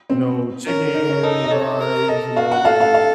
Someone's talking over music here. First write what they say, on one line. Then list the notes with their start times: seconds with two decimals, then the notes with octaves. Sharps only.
you know, chicken, rice, you know,
0.10 C4
0.67 C#4 A#4
0.94 D#4
1.09 C#4
1.23 D#4 A4
1.44 D#5
1.51 A4 C#5
1.62 C#5
1.80 A#4
2.09 A4 D#5
2.37 F#4 F5
2.52 F#5
2.65 A4 F5
2.80 F5
2.95 F5